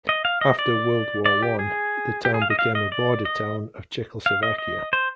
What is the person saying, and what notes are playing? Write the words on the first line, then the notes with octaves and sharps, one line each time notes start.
After World War One, the town became a border town of Czechoslovakia.
D#5
F5
D#5
D5
D5
G4
G#4
G4
G#4
F5
D#5
F5
D#5
D5
D#5
F5
D#5
D#5
C5